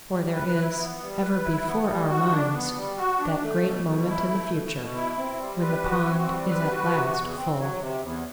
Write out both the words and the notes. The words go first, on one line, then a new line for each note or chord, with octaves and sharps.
For there is ever before our minds that great moment in the future when the pond is at last full.
G3
B4
E4
B3
G3
B4
E4
B3
G3
F#4
D4
B3
G3
F#4
D4
A3
B2
B2
E4
A3
B2
B2
E4
C4
G3
B4
F#4
C4
G3
B4
F#4
C3
E2
C4
F#3
C3
E2